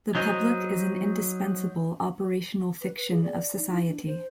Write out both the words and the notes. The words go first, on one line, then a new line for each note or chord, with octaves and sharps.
The public is an indispensable operational fiction of society.
F#3 D#4 C5 D#5
B4
B4
G#4
D5
D#4
E4
D4
C5